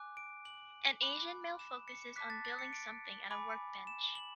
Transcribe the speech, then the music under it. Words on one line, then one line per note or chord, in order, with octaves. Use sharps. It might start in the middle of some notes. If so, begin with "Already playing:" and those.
An Asian male focuses on building something at a workbench.
Already playing: G#5 D6 F#6
D7
F#7
B5 D6 F#6
E7
C#7
A5 D6 F#6 B6
A6
A6
C#7
D7
G#5 B5 D6
E7
F#7